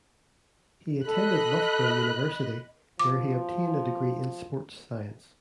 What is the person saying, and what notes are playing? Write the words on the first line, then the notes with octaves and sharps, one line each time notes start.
He attended Loughborough University, where he obtained a degree in Sports Science.
A4 D#5 B5 F#6
F3 D6